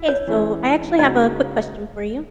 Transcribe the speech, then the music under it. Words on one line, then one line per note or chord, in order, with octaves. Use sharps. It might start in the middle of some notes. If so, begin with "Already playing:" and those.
Hey, so I actually have a quick question for you.
Already playing: E4
C#5
E3 G#3 C#4 E4
C#3 G#3 D#4 F#4 D#5